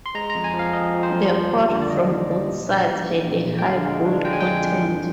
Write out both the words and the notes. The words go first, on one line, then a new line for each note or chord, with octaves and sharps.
The ore from both sides had a high gold content.
C6
G#3 A#5
A#5
F2
G#5
F3
F5
F2 D#5
F2
C5
F3
G3
D#2
D3
D5
D#2 D#5
D#2
G3
A#1
A#1
A#1
A#1
A#1
A#1
G5
D3 F5
G#3
D4
G#3 G5
G#5
F2 G5
F2
G2